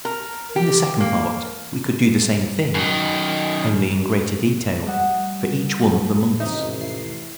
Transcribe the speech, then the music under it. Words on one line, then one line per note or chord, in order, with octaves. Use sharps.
In the second part we could do the same thing, only in greater detail, for each one of the months.
A#4
G4
A#3
F#2 D#3
G3 A3 D#5 F#5 E7
A1 F2 C3 E3 D#4 E5
E4 C7